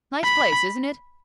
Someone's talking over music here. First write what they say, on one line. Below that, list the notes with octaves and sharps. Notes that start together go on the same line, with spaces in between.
Nice place, isn't it?
B5